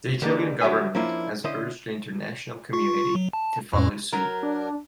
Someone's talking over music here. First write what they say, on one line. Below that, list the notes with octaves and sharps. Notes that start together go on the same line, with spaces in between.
The Italian government has urged the international community to follow suit.
D3 F3 G3 G#3 A#3 D4
D3 F#3 G3 E5 G#5
F3 A#3 C#4 D4 E4 F4
D3 C#4 E4 C5 D#5
F4 C#6
F#3
A5
F2 A2 C#4
F#3 A#4
D4